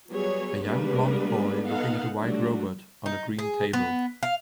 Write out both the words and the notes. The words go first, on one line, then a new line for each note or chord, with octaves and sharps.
A young blond boy looking at a white robot on a green table.
F#3 G3 B3 G#4 C#5
G3 G#3 A#3 B3 D4 B4
B3 D#4 A4 F5 F#5
F#3 G3 A3 D4 F#4
D#4
G#4
B3
F5